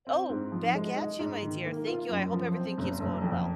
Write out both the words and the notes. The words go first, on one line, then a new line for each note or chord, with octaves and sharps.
Oh, back at you, my dear, thank you, I hope everything keeps going well.
C4
G#2
F3
G#3
D#4
G#2
D#3
A#3
F4
F#2
F3
C4
F#1
F#1
F2